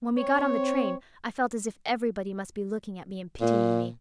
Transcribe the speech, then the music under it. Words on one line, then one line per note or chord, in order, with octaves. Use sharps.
When we got on the train I felt as if everybody must be looking at me and pitying me.
C4 C#5
A#2